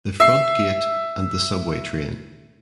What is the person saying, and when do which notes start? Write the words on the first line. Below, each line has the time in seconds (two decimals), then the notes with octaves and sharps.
The front gate and the subway train.
0.20 E5 C7